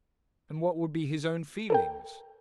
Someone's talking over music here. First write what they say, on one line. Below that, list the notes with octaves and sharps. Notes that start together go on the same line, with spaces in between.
And what would be his own feelings?
A4 A#4 G5